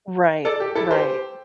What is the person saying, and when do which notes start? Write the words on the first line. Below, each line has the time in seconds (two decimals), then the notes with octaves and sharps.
Right, right.
0.45 A4 D5
0.60 G4
0.75 E4 A4
0.91 G4 C5